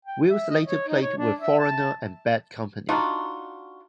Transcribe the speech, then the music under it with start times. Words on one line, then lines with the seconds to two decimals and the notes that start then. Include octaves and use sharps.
Wills later played with Foreigner and Bad Company.
0.05 G5
0.28 E5
0.50 D#5
0.65 C#5
0.88 D#4
1.02 C#5
1.17 D4
1.41 E5
1.59 A5
2.89 D4 D#4 F4 F#4